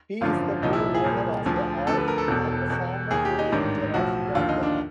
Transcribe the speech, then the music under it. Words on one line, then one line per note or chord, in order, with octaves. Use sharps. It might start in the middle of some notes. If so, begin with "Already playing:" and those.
He is the co-owner of The Awl, and the former co-editor of Gawker.
G#1 F#2 D3 F3 F4
C2 A#2 F3 D#4
E4
G#4
C2 A#2 F3
D2 D3 F3
D2 D3 F3 A4
B4
A#4
A4
E1 E2 B2
E2 B2
D#2 D#3 G#4
G4
D#4
A1 G#2 D#3 D4
B1 A2 F3 F#4
D#2 D3 F3 F4
D#4
D4